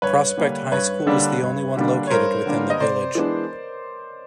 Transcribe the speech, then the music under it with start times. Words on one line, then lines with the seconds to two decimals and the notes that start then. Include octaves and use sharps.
Prospect High School is the only one located within the village.
0.02 G2 B4 C#5
0.37 D3 G3 A#3 D4
0.72 G2 B4 C#5
1.07 D3 G3 A#3 D4
1.42 G2
1.76 D3 G3 A#3 D4
2.07 C#5
2.10 G2 A#4 C5
2.46 D3 G3 A#3 D4
2.70 D#5
2.80 C3 C5 D5
3.15 E3 G#3 B3 D4